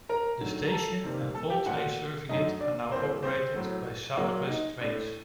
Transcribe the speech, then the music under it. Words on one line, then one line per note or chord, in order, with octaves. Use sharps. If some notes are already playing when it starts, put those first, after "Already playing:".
The station and all trains serving it are now operated by South West Trains.
A#4 A#5
G2 D#3 F#3 A3
A#5
A4 A5
C3 D#3 G3 A#3
A4 A5
G4 G5
A#2 A3 F#4 F#5
F#2 D3 F#3 A3 D#4 D#5
D4 D5
A2 G3 A#3 C4 C5
C4 C5
A2 F#3 A3
A#2 F#3 A#3 F#4
D#4
A2 A3 D4